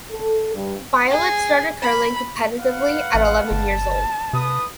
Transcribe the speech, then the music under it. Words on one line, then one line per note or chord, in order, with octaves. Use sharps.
Violette started curling competitively at eleven years old.
A4
G2
G#4
B5
B4 F5 F#5
A1
G1 A5
C3 B4 D#6